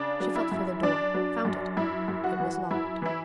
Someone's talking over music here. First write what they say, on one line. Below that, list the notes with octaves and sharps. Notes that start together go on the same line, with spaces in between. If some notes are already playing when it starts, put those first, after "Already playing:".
She felt for the door, found it--it was locked.
Already playing: C#3 D4
F#3
E4
F#2
F#2 D4
F#3
F#2
F#2 E4
F#2
F#4
E3
F#2 E4
E3 E4